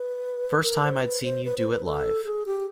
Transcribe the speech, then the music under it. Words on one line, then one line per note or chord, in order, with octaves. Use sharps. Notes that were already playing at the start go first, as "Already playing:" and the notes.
First time I'd seen you do it live.
Already playing: B4
A#4
C5
B4
C5
B4
C5
B4
A4
G#4
G4